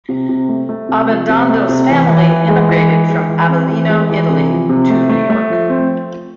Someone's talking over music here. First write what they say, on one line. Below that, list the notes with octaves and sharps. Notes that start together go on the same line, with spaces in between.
Abbandando's family immigrated from Avellino, Italy to New York.
C3
C3
A3
A3
C3
F3
C3
A3
C3
E3
E3
E3
G#3
E3
G#3
G#3
E3
C4
E3
G#3
E3
C3
F3
C3
A3
A3
A3
F3
C4